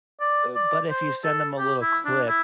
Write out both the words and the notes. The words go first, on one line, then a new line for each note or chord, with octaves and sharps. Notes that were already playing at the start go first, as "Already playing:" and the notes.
uh, but, if you send them a little clip,
D5
D5
C5
A4
G4
E4
D4
E4